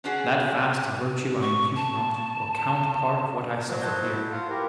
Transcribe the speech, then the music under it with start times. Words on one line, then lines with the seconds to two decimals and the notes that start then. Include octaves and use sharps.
That fast To virtue I impute not, or count part Of what I suffer here.
0.04 C#4 D4 F#4 G#4
1.41 C#6
1.76 A5
3.67 F3 F#3
3.82 C5 D#5 A5 G6
4.03 E4
4.32 F4 F#5
4.50 G4 A#4 B4